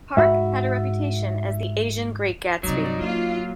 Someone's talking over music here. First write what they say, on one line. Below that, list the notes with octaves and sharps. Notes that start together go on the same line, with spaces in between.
Park had a reputation as the "Asian Great Gatsby".
G#2 F#4 E5 B5
G2 C3 F#3 D#4 D5
A#3 D4 F4